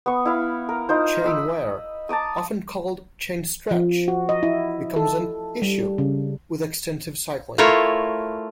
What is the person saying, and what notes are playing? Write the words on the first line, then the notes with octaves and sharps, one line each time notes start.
Chain wear, often called "chain stretch", becomes an issue with extensive cycling.
B3 C#6
E4 F5 B5
A#4
D#4 F4 C5
D#5 B5 E6
A5 A#5 D6 D#6
F3
F#4
D#5
E4
A4
G3
C#3
A3 E4 F4 A#4 C#5